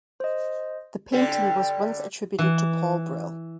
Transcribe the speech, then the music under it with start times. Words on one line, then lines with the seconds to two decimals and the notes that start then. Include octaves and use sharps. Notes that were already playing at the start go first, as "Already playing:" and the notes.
The painting was once attributed to Paul Bril.
0.20 C5 D#5
1.12 D3 G3 G4
2.39 E3